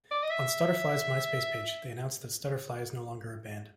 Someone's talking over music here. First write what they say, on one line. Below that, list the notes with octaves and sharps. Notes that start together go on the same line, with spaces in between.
On Stutterfly's Myspace page they announced that Stutterfly is no longer a band.
D5
D#5
E5